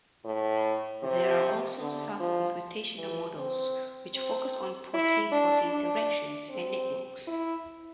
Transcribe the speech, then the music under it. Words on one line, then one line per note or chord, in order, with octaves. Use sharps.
There are also some computational models which focus on protein-protein interactions and networks.
A2
C3
D3
F3
E3
C4
C4
E4
D4
D4
C4
E4